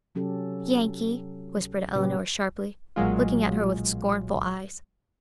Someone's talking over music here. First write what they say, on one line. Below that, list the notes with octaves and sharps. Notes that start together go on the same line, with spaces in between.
"Yankee!" whispered Elinor sharply, looking at her with scornful eyes.
C3 F#3 C#4 G4 A4
A#2 C#3 G3 C#4 G4 B4
B1 A#2 F#3 G#3 F4